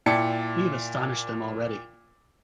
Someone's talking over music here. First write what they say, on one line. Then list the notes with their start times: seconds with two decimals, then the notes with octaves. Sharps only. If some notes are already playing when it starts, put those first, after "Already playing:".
We have astonished them already.
0.06 A#2 E4 D5 G5 A5 C#7